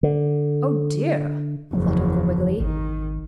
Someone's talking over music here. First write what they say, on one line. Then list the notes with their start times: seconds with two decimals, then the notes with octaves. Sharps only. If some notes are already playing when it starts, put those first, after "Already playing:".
"Oh, dear!" thought Uncle Wiggily.
0.03 D3
1.73 F#1 E2 F3
2.60 G#1 D#3